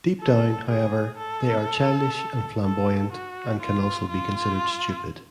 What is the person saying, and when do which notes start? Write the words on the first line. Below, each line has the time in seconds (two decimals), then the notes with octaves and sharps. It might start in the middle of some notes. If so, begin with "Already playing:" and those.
Deep down, however, they are childish and flamboyant, and can also be considered stupid.
0.20 A4
0.69 G#4
1.17 A4
2.63 A4
3.12 F#4
3.60 F4
4.09 F4